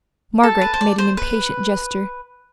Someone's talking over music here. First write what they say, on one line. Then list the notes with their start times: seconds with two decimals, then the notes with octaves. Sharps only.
Margaret made an impatient gesture.
0.43 A4 A5
0.61 B4
0.74 C5
0.81 D5
0.98 C5
1.17 B4